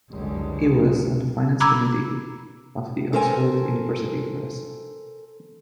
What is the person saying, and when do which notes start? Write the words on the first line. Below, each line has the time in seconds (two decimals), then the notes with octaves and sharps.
He was on the finance committee of the Oxford University Press.
0.11 F#1 C#2 F#2 D3 G3 G#3
1.60 A#5 B5 D6 E6 G#6
3.13 A4 A#4 C5 G5 G#5